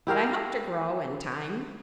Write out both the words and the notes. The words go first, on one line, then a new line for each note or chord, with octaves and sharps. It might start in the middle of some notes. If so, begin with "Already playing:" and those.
But I hope to grow, in time.
E4 G4 A#4 F5